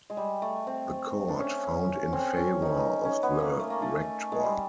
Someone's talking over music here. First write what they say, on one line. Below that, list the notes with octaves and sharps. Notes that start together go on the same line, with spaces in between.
The court found in favour of the rector.
G#3
G3
A3
C4
D4
C#4
C4
C#4
D#4
C#4
B3
A#3
A3
A#3
A3
G#3
G3